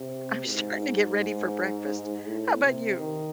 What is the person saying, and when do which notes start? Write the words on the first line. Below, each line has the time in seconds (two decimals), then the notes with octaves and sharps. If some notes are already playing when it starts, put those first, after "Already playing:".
I'm starting to get ready for breakfast. How 'bout you?
Already playing: C3
0.49 G#2
1.20 G#2
2.27 A2
2.63 C3
2.98 D#3